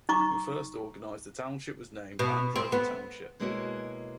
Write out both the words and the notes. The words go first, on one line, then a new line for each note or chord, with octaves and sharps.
When first organized the township was named Androver Township.
D#4 A#5 C#6 D6
B2
C4
B3
B2 G#3 A#3 E4 F#4 C#5